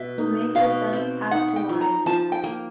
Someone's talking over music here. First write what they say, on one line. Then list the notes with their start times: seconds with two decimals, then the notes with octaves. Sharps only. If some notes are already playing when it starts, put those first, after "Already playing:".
Who makes his bed, has to lie in it.
Already playing: B2 E5
0.18 D#4
0.55 B2 F5
0.93 C4
1.31 D#4 F#5
1.56 G5
1.69 F3
1.81 A#5
2.06 F3 A5
2.32 G5
2.44 A#3